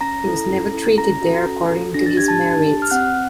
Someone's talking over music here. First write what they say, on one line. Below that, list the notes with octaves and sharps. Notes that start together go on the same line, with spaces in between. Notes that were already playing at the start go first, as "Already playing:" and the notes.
He was never treated there according to his merits.
C#4 A#5 A#6
E4 A4
C#4
E4 A4
C#4 A#5 A#6
F#4 A4
C#4
F#4 A4
D4 A#6
A6
G4 G#6
A5 A6
D4
G4
F6
C4 F#5 F#6